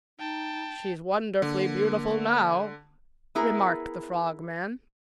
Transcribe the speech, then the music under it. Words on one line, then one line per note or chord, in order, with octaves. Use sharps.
"She's wonderfully beautiful now," remarked the Frogman.
D#4 G5 A5
D3 A#3
B3 E4 G#4 A#4